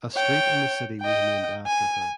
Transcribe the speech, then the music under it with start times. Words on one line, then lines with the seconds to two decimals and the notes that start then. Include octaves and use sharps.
A street in the city was named after her.
0.15 C#5 G5
1.01 D#5 G5
1.66 G#5